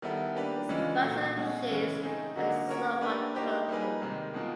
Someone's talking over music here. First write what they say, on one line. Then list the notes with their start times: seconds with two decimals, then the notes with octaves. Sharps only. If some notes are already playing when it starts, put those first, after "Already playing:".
Its basal sheaths are somewhat purple.
0.02 D#3 G3 B3 E4 A4
0.36 A#3 D4 G4 B4
0.69 C#3 E3 G#3 C#4 F4
1.02 A#2 F#3 A3
1.36 B2 G#3 C#4 F#4
1.69 C#3 E3 G#3 C#4
2.02 A3 C4 D#4 G#4
2.36 D3 F#3 A#3 D#4 F#4
2.68 A#3 C#4 F#4 A#4 C#5
3.01 A#3 D4 G4 B4
3.35 A#3 D#4 G4 C5
3.68 G3 A#3 D#4 G#4 B4
4.02 C3 D#3 G#3 C4
4.34 B2 G#3 C4 F4 A#4